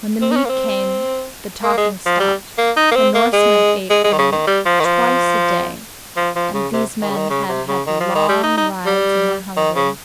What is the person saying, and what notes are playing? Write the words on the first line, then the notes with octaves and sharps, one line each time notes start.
When the meat came, the talking stopped; for Norsemen ate only twice a day, and these men had had long rides and were hungry.
C4
D#4
C#4
A#3
C4
A#3
G#3
F3
G3
A#3
D#4
A#3
C4
A#3
G#3
G#3
G#3
D#3
C#3
D#3
G3
F3
D#3
F3
F3
F3
C#3
C3
D#3
C#3
D#3
C#3
C3
C#3
D#3
F3
D#3
G3
D#4
D#4
G3
D#3
C#3